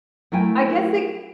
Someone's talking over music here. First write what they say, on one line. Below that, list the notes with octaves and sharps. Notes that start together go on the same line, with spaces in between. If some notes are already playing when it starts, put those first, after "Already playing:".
I guess it
F#3 A3 E4 A#4 G5 G#5